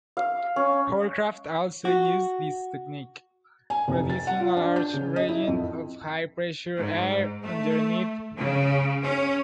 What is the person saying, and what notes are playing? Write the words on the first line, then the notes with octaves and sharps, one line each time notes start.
Hovercraft also use this technique, producing a large region of high-pressure air underneath them.
F5
C#4
F#4
G#5
F1
A6
F#5
F4
D4
G6
C#3
D#5
E4
F2
G#2
A3
C#3
C#4